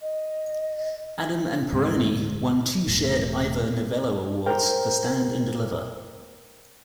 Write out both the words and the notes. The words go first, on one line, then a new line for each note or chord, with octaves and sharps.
Adam and Pirroni won two shared Ivor Novello Awards for "Stand and Deliver".
D#5
D2 G#2
E1 A2
A#4 C5 G5